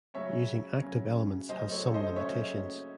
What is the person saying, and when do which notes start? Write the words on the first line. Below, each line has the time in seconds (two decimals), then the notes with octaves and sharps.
Using active elements has some limitations.
0.14 C#3 F#3 C#4 C#5 E5
0.82 C#3 F#3 C#4
1.49 C#3 F#3 C#4 C5 D#5
1.72 A4 C#5
1.94 C5 D#5
2.16 C#3 F#3 C#4 C#5 E5